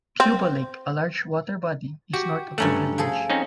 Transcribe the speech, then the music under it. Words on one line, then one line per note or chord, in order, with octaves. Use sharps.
Cuba Lake, a large water body, is north of the village.
C4
F#4 G4
G2 F#3 A3 C#4 F#5
F3 G#4 A4
C4 C#4 D#4